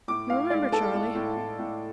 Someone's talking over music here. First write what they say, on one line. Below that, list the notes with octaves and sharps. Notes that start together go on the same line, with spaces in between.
You remember, Charley?'
A2 D6
A2 F5
G#3 D5
G#3 A4
A2
A2
A2
A2